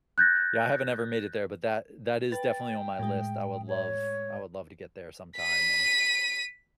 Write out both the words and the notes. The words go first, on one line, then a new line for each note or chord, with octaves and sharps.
yeah I haven't ever made it there, but that eh that is definitely on my list. I would love I would love to get there sometime and
F#6 G6 A6 A#6
B4 G5 A6
A2 G#3
C#5
B6 D#7